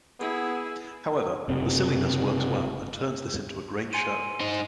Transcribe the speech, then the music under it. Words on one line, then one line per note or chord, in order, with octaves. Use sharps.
However, the silliness works well and turns this into a great show.
B3 E4 G#4
F#1 C3
G#5 C6 D#7
D#4 C5